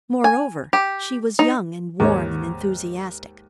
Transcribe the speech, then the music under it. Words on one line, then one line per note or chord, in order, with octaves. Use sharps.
Moreover she was young and warm and enthusiastic.
G#5
G4
D#4
D#2 G#2 C#5